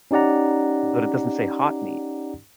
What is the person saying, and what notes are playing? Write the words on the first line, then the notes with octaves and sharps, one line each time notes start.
But it doesn't say, "hot meat."
C#4 D#4 G4 D5 F#5 A#5